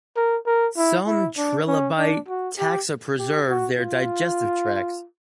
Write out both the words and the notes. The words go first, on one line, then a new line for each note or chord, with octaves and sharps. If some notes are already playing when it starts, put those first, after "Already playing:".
Some trilobite taxa preserve their digestive tracts.
A#4
A#4
E4
E4
D4
C#4
D4
F#4
G4
G4
F#4
F4